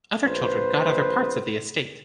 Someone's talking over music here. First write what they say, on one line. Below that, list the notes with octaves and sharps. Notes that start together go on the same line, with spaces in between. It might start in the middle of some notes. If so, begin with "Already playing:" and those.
Other children got other parts of the estate.
A#1 B4 C5